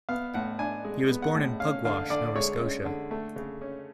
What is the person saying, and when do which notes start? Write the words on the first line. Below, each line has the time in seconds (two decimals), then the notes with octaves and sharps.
He was born in Pugwash, Nova Scotia.
0.09 B3 F5
0.34 A2 F#5
0.59 D4 G#5
0.85 G#3
1.09 B3
1.22 F#5
1.35 A2
1.60 C#4 F5
1.85 D3 F5
2.10 D3 D5
2.35 G#3 C#5
2.60 C#4
2.85 D3
3.11 A3
3.36 C#3
3.61 C#4